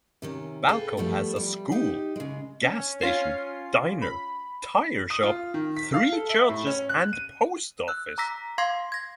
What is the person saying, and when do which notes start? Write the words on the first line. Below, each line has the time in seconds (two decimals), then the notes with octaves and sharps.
Balko has a school, gas station, diner, tire shop, three churches and post office.
0.22 C3 D#3 C#4
0.69 G#4 A4 B4 F5 G5
0.97 F3 G3 A3 B3
1.36 G3
1.72 D#4 G4
2.16 C#3 G#3
2.64 C#4
3.01 C#4 F4 C7
4.02 B5
5.10 D#6
5.23 F4
5.54 D#3
5.77 B6
5.94 F5
6.13 A4
6.29 E5
6.49 A2
6.67 C#4
6.89 F#6
7.13 D#7
7.88 E6 F#6
8.18 A#5 D6 E6 A#6 B6
8.58 F5 C6 D6 G#6 A#6 C7
8.92 G#6 A#6